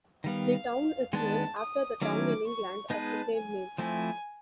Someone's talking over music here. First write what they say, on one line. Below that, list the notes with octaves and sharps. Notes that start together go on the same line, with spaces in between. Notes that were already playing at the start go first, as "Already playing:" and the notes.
The town is named after the town in England of the same name.
D#3 G3 B3 F5
D#3 G#3 B3 D4 A5
D#6
D#3 F#3 A3 C#4 E4 D6
C#6
G#3 B3 D#4 G#4 B4 A5
G#5
F3 A3 C4 E4 G#5